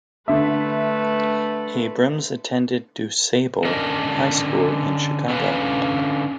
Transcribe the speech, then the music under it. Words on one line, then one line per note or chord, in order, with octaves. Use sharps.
Abrams attended DuSable High School in Chicago.
D3 A3 B4 E5
D3 C#4 A#4 D5 D#5 A5
D3 C#4 B4 F5